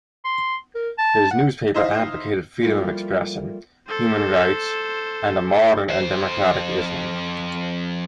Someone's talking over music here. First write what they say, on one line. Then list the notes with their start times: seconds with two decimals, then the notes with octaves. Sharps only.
His newspaper advocated freedom of expression, human rights and a modern and democratic Islam.
0.25 C6
0.75 A#4
0.98 A5
1.31 F#5
1.74 D#4 E4 C5 D#5 F5
2.63 F3 G3 A3 A#3 E4 F4
3.88 A4 C5
5.89 F2 C5